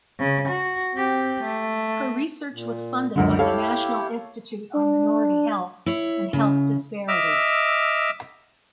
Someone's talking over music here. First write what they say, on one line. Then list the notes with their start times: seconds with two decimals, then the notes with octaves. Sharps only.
Her research was funded by the National Institute on Minority Health and Health Disparities.
0.19 C#3
0.48 F#4
0.94 C4 G4
1.43 A3
2.52 A#2
3.16 C#2 F#2 D3
3.39 E4 G4 A4 C#5 F5
4.73 D4
5.86 E4 C#5
6.33 C#3
7.08 D#5 E5 D6 E6 F6